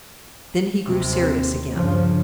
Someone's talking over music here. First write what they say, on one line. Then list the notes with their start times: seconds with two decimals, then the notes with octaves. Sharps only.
Then he grew serious again.
0.88 D#2 C3 C4
1.75 G2 C#3 F3